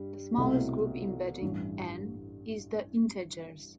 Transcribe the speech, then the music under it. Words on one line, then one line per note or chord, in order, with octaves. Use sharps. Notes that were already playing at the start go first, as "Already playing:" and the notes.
The smallest group embedding N is the integers.
Already playing: G2 G3
C2 B2 A3 C4 E4
A1 G2 E3